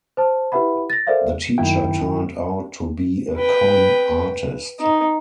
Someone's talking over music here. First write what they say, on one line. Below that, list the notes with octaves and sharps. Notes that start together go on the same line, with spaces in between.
The Teacher turned out to be a con artist.
C5 A5
E4 G4 B4 E5 F#5 B5
A6 A#6
A4 A#4 C5 D5 E5 F5
F#2 D#3 E4 G5
B4 G5
D#4